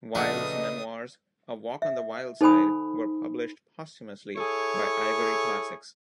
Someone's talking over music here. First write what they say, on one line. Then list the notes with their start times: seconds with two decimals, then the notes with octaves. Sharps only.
Wild's memoirs "A Walk on the Wild Side" were published posthumously by Ivory Classics.
0.15 A#1 C#3 A3 D4 B4 D#5 F#5 D#6
1.82 E5
2.41 D#4 A4 C5 G#5 B5 D#6
4.37 E4 G#4 A4 C#5